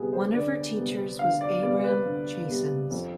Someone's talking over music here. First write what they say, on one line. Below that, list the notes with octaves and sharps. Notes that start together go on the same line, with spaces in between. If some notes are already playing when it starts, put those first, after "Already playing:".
One of her teachers was Abram Chasins.
Already playing: D2 C3 G3 B3 G#4
C5
D2 D5
C3 G3 B3
D2 F5
D5
C3 G3 B3 D5
B4
D2
C3 G3 B3
F2